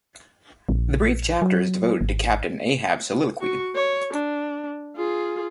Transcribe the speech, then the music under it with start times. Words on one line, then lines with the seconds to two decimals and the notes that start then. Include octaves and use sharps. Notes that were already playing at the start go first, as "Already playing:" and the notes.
The brief chapter is devoted to Captain Ahab's soliloquy.
0.69 A#1
1.42 F#3
2.01 G#1
3.40 F#4 C#6
3.75 C#5
4.13 D4
4.96 F4 G#4